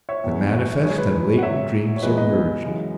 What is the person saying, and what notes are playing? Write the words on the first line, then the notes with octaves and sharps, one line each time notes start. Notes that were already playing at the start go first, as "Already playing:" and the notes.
The manifest and latent dreams are merged.
C#5 E5
E2 B2 G#3
F#2 D#3 G#3 C#5
B4
F#5
G#2 F#3 C#5 E5
C#5
E2 B2 G#3 B4 D#5
B4 D#5
F#2 C#3 E3 G#3